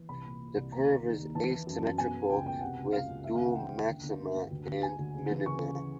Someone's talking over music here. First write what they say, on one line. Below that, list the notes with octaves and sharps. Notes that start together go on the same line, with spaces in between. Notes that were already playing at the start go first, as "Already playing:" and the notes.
The curve is asymmetrical with dual maxima and minima.
Already playing: E3
C2 B5
A#2
A#2
C2
D#2 A#5
D#2
D#3
D#2
E3 A5
E3
F#2
F#2
B2 G#5
B2
C#2 G5
B2 G5
C3 F#5
C#2
C#2 F5
C#2
D#2 E5
F5
C#3
F#5
E3 G5
D#2
D3
D3
G2
G2
D2
D2
D2 G#5
D2
C#3
E3
C#3 C#6
C#3